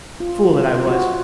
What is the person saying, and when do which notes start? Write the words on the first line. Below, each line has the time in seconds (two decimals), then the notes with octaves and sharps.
Fool that I was!
0.20 F4
0.50 F4
0.87 F#4